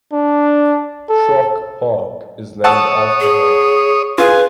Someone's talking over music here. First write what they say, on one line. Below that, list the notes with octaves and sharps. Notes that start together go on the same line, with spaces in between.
Schrock Park is named after her.
D4
A4
C#5 F#5 A5 D#6 E6
G#4
F4 G#4 B4 G#5